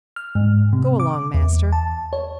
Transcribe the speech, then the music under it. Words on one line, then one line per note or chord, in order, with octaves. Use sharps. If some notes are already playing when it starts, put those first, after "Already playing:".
'Go along, master!
F6
G#2
C3
D6
E2
A5
C#5